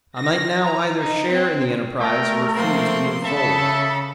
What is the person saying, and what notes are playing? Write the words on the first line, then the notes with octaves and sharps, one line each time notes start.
I might now either share in the enterprise or refuse to move forward.
A#6
A#5
D#4
C4
A3 A#4 G5
F3 A#3 C4 C6
C#3 A4 E5 A5 B5